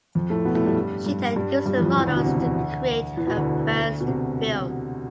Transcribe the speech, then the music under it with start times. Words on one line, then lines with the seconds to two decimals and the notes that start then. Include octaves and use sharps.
She then used the models to create her first film.
0.15 F2 F3
0.30 A2 A3
0.45 B2 B3
0.55 A2 A3
0.66 G2 G3
1.06 G2 G3
1.36 G2 G3
1.66 G2 G3
1.77 E3
1.81 F2 F3
1.96 E2 E3
2.06 D2 D3
2.17 B2
2.26 C3
2.37 E3
2.42 D2 D3
3.17 E2 E3
3.27 B2 B3
3.37 D2 D3
4.00 B2
4.08 C3